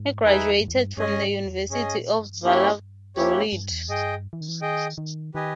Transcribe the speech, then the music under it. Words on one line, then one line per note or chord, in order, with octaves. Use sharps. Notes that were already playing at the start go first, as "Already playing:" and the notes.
He graduated from the University of Valladolid.
Already playing: G#2
E2 D#4 G#4 B4 E5 G#5
G2
E2
G2
G2 C#4 G#4 D#5 G#5
G#2
E2
G2 C#4 G#4 D#5 G#5
A#2
G2
A#3 C#4 E4 G4 C#5
E2 A#3 C#4 E4 G4 C#5
G2
G2
E2
G2 G#4 D#5 G5
E3
D#3
E3
D#3 G#4 D#5 G5
D#3
D#3 G4 B4 D#5 G#5